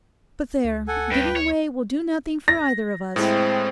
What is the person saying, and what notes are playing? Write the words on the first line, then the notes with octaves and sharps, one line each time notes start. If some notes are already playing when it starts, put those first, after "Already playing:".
But there; giving way will do nothing for either of us.
D2
A4 F#5 G#5
G2 B4 G5
C#5
A#6
A2 G#3 C4 E4